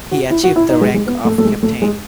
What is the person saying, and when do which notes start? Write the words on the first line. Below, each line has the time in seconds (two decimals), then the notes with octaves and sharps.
He achieved the rank of captain.
0.11 F#4
0.30 E4
0.44 F#4
0.56 E4
0.69 D#4
0.81 G#3
0.94 G#3
1.07 B3
1.25 A3
1.38 A3
1.45 G#3
1.63 A3
1.82 G#3